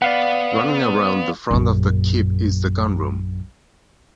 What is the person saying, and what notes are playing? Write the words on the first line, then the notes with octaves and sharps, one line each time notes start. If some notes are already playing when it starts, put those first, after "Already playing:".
Running around the front of the keep is the gun room.
B3 D5 F5 F#5
A#1 F#2